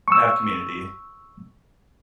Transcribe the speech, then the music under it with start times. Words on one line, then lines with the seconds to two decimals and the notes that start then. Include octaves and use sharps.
I have community.
0.08 C#6 E6